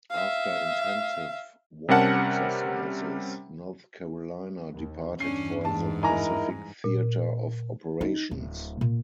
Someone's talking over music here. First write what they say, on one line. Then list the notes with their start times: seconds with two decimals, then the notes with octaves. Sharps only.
After intensive war exercises, "North Carolina" departed for the Pacific theater of Operations.
0.11 E5 F5
1.89 C3 G3 C#4 A#4 F#5 A5
4.73 D#2
5.20 E2 G2 C#4 D4 C7
5.65 G#2 A5
6.03 D#4 E4 A#4 G#5 A#5
6.84 A#2
8.01 D#4
8.31 D1
8.81 A#2